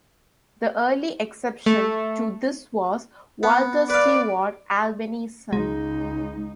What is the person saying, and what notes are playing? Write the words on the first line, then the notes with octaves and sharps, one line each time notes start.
The early exception to this was Walter Stewart, Albany's son.
A3
B3
B4 D5 F5
C#2 G#3 D#4